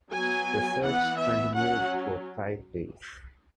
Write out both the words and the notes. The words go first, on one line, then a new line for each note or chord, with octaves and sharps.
The search continued for five days.
F#3 B3 G#5
E3 B3 F#5
E5
F#3 C#4 F#5